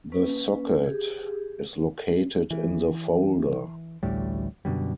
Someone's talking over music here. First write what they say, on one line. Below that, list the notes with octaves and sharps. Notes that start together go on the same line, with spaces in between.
The socket is located in the folder.
A#3 C#4 B4
G4 G#4
E3
A1 D2 A2 G3
F#2 B2 D3 G3